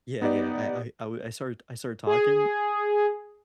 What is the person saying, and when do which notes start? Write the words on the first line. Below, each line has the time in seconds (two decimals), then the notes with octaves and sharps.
Yeah, yeah, I I I w I started I started talking
0.22 B3 D#4 G4 D5
2.07 G#4